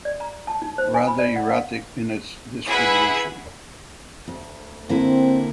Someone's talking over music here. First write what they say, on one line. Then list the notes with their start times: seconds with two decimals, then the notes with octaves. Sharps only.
Rather erratic in its distribution.
0.05 D5
0.20 A#5
0.47 A5
0.62 D#4
0.78 C5
0.94 G#5
1.07 B5
1.19 D5
1.36 F#5
1.50 F5
2.66 E4 G#4 B4 E5 F#5 B5
4.28 D2
4.89 D3 A#3 C4 E4